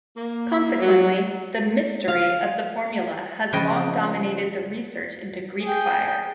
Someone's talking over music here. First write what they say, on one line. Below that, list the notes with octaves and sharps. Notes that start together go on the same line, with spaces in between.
Consequently, the "mystery" of the formula has long dominated the research into Greek fire.
A#3
F#3
F5
C#3 F3 B4 C#5 D#5 G5
G#4 G5